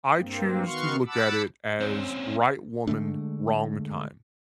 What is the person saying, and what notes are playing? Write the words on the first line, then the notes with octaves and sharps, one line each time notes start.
I choose to look at it as: right woman, wrong time,
G2 A#3 C4
D#3 B3 F#4 F5 C6 C#6
F#5 A5 B5 D6 E6
C4 C#4
D3 G#3 A3 D4